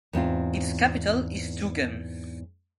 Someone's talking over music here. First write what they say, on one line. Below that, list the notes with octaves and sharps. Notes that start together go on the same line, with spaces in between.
Its capital is Tougan.
E2 G#2 C4 F4